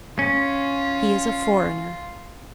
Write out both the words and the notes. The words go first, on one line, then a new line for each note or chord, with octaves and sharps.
"He is a foreigner."
C#4 F4